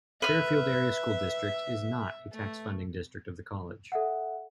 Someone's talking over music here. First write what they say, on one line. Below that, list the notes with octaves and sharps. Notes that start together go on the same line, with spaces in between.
Fairfield Area School District is not a tax funding district of the College.
B4 E5 F6
A3
A4 E5 F#5